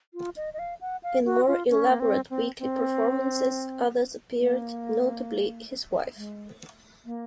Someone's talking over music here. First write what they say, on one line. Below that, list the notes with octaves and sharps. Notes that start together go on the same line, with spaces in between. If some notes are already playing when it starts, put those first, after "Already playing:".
In more elaborate weekly performances others appeared, notably his wife.
F4
D#5
D#5
F5
F#5
F5
F#4
F4
C#4
A#3
C4
C4
C4
A#3
G#3
A#3